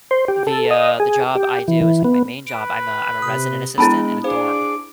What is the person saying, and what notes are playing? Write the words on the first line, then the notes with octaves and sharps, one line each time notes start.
the, uh the job I do is like my main job, I'm a I'm a resident assistant in a dorm.
C5
G4
A4
D#5
G#4
G4
E3
E3
B3
B4 D7
C3 D#6
G#3 B3 D4 E4 A5 B5 D7
D4 G#4 C5 F5 D6